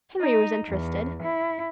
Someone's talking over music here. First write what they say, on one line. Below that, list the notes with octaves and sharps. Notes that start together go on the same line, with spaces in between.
Henry was interested.
D#4
E2
E4